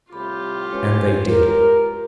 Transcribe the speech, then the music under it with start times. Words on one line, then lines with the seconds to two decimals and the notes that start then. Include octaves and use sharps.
And they did.
0.13 C2 A2 F4 G4 B5
0.72 A1 G#3 C#4 B4 C#5
1.27 A#4